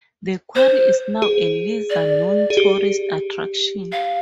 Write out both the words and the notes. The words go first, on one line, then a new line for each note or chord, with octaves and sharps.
The quarry is now a lesser-known tourist attraction.
C5
G#4
D5
G#4
G4
F5